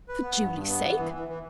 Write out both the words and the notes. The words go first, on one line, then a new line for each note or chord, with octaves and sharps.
"For Julie's sake!"
B4
B3
G2
G2
B3
E3
E3
E3
E3